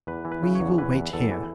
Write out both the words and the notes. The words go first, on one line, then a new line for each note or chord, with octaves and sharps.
"We will wait here."
E2 B4
E3
B4
C#3
E2 C#5
E3 B4
E2
E2 A4
E3